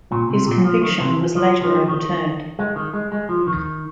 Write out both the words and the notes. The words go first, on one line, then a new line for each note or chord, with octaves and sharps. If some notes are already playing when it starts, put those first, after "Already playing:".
His conviction was later overturned.
A#2
C3
A#2
F3
D#3
C3
F3
F3
D#3
G#3
D#3
G#3
G#3
F3
D#3